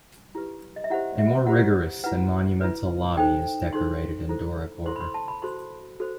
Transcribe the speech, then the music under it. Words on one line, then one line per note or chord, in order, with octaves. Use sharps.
A more rigorous and monumental lobby is decorated in Doric order.
E4 G4 B4
D#5
E5
E4 G4 C5 F#5
E5
E4 G4 C5 F#5
E4 B4 F#5
E4 B4
D#4 A4 C5 G5
D#4 A4 C5 C6
E4 A4 C5
E4 A4 C5 C6
B5
C6
A5
B5
F#4 A4 C5 C6
F#4 A4 C5